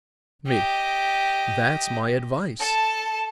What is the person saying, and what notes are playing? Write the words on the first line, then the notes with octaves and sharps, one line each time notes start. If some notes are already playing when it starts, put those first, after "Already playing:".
ME: That's my advice.
G4 D#5
A4 A5